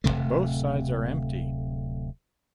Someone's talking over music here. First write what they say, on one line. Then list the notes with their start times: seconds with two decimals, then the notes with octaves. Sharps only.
Both sides are empty.
0.04 D1 D#2 C3 A3